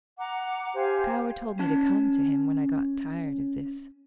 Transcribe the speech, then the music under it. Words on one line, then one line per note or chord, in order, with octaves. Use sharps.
Power told me to come to him when I got tired of this.
F#5 A#5 D6
G4 C5 F5 G#5
C#4 A5